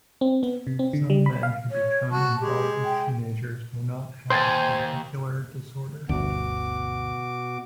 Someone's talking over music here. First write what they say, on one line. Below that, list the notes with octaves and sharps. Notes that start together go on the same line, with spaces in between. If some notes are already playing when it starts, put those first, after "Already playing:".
Some men who become involved with teenagers may not have a particular disorder.
C4
B3
C3
C4
D3
G3
B5
F5
C#5
F#4 A5
G#3 G4
G5
D#2 C5 G5 G#5 C6 G#6 A6
G1 D2 B2 F#4 D6